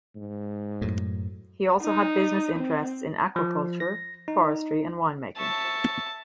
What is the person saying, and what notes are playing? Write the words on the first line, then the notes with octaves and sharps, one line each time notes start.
He also had business interests in aquaculture, forestry, and wine making.
G#2
F#2 A2
D#4
C4
F3
A#6
D#4
E5 A5 C#6